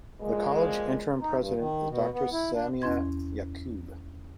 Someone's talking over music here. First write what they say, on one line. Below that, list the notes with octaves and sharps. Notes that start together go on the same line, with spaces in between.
The college interim president is Doctor Samia Yaqub.
A#2 F3 G#3
D#4
G2
D#3
B2
B3
E4
D4
E2 C#4 E4 C6 G#6